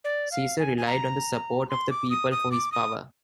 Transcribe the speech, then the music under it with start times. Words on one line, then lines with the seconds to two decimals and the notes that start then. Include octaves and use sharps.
Caesar relied on the support of the people for his power.
0.04 D5
0.32 F5
0.59 G#5
0.78 G#5
0.87 A#5
1.69 C6
1.90 D6
2.10 D#6
2.31 D#6
2.51 D6
2.72 D#6